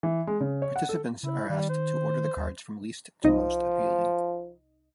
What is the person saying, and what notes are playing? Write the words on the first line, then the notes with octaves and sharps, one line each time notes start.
Participants are asked to order the cards from least to most appealing.
E3
G#3
C#3
C#5
F#5
A4
C#3 E4
D#3 G3
C5
D#2
C2 F3 D#4 D#5